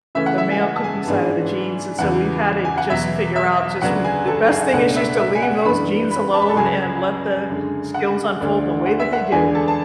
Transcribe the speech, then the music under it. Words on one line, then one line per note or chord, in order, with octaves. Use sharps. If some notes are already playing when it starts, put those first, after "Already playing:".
the male cooking side of the genes, and so we've had to just figure out, just we the best thing is just to leave those genes alone and let the skills unfold in the way that they do.
C#3 E3 A3 C#4 E5
F#5
E5
G#5
F#5
A5
G#4 G#5
G#2 E3 G#3 B3 D4
E2 C#3 E3 F#5
G#5
F#5
E2 B2 F#3 E5
E5
D2 C#3 F#3 B3 D4 F#5
G#4 G#5
A4 A5
G#4 G#5
C#2 B2 A3 D4 F#5
E5
E5
G#5
F#5
F#2 E3 B3 D4 B4 B5
B4 B5
A5
B5
A4 A5
C#2 C#3 F#3 G#4 G#5
F#2 D3 G#3
F#5
D2 D3 A3 D4
F#5
E5
F#5
E2 D3 G#3 D4 G#4 G#5
A4 A5
A5